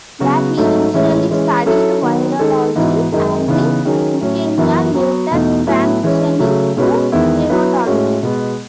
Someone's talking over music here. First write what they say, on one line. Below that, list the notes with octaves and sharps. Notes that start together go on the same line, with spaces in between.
There he initially studied virology and leukemia, later transitioning to hematology.
C#3 F#3 B3 F#4
G#2 F#3 A3 D#4
A2 E3 G#3 C#4 E4
E3 G#3 C#4
F#3 C#4 E4 A4
D#3 F#3 B3
D#3 G#3 D#4 A4
G#2 E3 B3 D#4 F#4
F#2 D#3 G#3 D#4 G#4
C#3 E3 B3 D#4
D#3 F#3 C#4 G#4
A2 F#3 C#4
F#2 E3 B3 F#4
F#3 B3 F#4
E2 B2 A3 D#4
A2 F#3 B3 E4 B4
E3 G#3 C#4
C#3 F#3 A3
B2 G#3 C#4 F#4 B4
E2 D#3 G#3 B3 E4
F#3 B3 E4 B4
A2 G#3 C#4 F#4
B2 G#3 B3